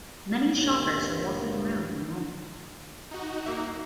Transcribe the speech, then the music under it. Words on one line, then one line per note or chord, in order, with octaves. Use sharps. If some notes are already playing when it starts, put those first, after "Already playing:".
Many shoppers are walking around in a mall.
D2 G2 A#2 C#5
D#4 F#4
A#3 E5